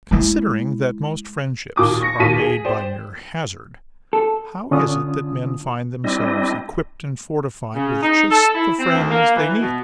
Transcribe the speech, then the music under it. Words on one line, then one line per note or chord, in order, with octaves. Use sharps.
Considering that most friendships are made by mere hazard, how is it that men find themselves equipped and fortified with just the friends they need?
G#3 E4
D#2 A#2 D6 D#6
C#6 A#6 C#7
D#2 A#2 A5 B6 D#7
G#4
C5 D5 G5
A4
D3 C#4 D4 F4 D#6
G3 C4 D4 E4 D#5
C#3
D#4
A4
E4
C4
D2
A#3
E3
B2